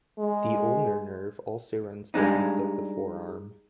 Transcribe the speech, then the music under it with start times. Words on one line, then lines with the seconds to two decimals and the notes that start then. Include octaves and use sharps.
The ulnar nerve also runs the length of the forearm.
0.19 G#3
2.14 G3 G#3 D4 D#4